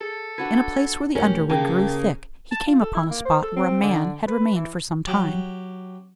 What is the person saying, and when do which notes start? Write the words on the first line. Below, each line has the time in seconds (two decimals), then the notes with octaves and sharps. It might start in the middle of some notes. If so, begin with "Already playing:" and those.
In a place where the underwood grew thick, he came upon a spot where a man had remained for some time.
0.01 G#4 A4
0.38 D4 F#4 B4 G#6
1.15 F2 B2 A3 C#4 G4 A#4
1.50 C#3 A#3 G#4 G5 A5
2.51 A5
2.67 F4
2.81 A4
2.95 E4
3.10 A#3
3.25 C5
3.43 A4
3.56 C4
3.82 D3
4.28 B4
4.54 E3
5.07 F#3 G4